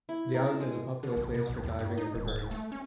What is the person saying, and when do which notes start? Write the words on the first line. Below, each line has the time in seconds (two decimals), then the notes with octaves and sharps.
The island is a popular place for diving and for birds.
0.09 E4
0.34 A#4
0.46 A5
0.60 G#3
1.03 D3
1.17 B1
1.34 B2
1.50 B1
1.63 E2
1.79 G2
1.98 D#4
2.15 D#1
2.36 D1
2.51 A3
2.72 C#4